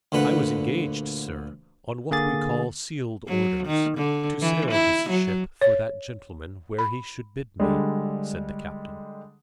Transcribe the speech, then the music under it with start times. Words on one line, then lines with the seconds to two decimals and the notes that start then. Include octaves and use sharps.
"I was engaged, sir, on what we call sealed orders, to sail this ship for that gentleman where he should bid me," said the captain.
0.12 D2 A#2 D3 B4 F#5
2.11 D3 A#3 G#4 A6
3.28 F#3
3.66 D#3
3.97 D3
4.41 E3
4.71 E4
5.10 F#3
5.61 C#5
6.79 B5
7.60 D3 G3 G#3